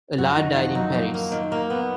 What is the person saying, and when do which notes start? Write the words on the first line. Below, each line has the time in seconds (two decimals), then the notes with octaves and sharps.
Alard died in Paris.
0.18 F#2 F#4
0.37 D#3 D#4
0.56 F3 F#4
0.75 F#3 D#4
0.94 F#3 A#3
1.14 A#3
1.32 D#3
1.52 A#3
1.70 B3